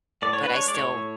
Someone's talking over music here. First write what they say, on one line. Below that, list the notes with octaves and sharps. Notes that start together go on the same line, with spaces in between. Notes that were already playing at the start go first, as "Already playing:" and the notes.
But I still
A2 D5
C#5
D4 B4
G#3 C#5
D5
A2 C#5
A2